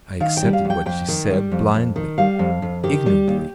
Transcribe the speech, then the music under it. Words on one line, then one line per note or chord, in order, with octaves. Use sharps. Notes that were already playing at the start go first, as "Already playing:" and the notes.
I accepted what she said blindly, ignorantly.
D#3 F5
G5
G3
F5
F2
G5
F2 G5
D#3
G3
F2
F2
D#3
G3 F5
F2
F2
D#3 G4
G3
D#2